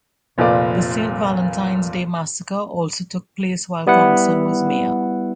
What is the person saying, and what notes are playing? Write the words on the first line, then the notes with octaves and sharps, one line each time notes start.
The Saint Valentine's Day Massacre also took place while Thompson was mayor.
F1 A#2 F4 A4 B4 D5
G3 B3 E4 F#5